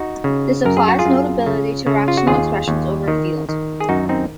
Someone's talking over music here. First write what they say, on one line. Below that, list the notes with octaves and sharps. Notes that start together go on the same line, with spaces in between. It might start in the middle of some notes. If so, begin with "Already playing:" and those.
This applies notably to rational expressions over a field.
Already playing: D#4 F#4
C#3
F#2 A#4
G#4
F#4
F4 G#4
F#2
C#3
C#3
F4
F#4
D#2 F4 G#4
D#2
D#3
D#3
G#4
F#2 D#4 F#4
C4 D#4